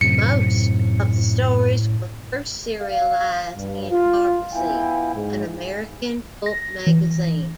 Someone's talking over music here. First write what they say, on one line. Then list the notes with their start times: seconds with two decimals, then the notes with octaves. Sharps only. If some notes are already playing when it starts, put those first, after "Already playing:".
Most of the stories were first serialized in "Argosy", an American pulp magazine.
0.01 F#2 A2 C3 C#7
2.82 F5
3.56 G2
3.90 F4
4.53 B3 E4 F5 G5 G#5
5.14 G#2
6.46 A#6
6.87 E3